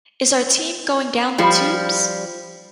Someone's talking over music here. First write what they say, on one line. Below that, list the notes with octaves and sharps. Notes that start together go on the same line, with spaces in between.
Is our team going down the tubes?
F3 G3